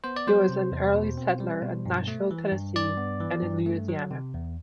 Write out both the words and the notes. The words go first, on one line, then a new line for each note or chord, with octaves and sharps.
He was an early settler at Nashville, Tennessee and in Louisiana.
B3 C5
D5
F#3 C5
C3
E2
B2
C4
G3
B2
G2
A3
E3
G2
G2 D5
B3
E3
G2
A3
F#3
C3
E2